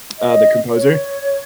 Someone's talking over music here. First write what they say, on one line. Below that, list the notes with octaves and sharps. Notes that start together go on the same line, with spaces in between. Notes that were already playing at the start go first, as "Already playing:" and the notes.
uh, the composer.
D#5
C#5